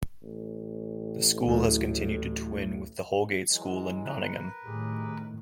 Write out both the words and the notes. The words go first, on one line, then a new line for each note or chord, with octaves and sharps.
The school has continued to twin with the Holgate School in Nottingham.
A1
D2 A2 F#3
E3 F#3 G#3
A#4 B4
A2 D#3 F#3 G4 G#4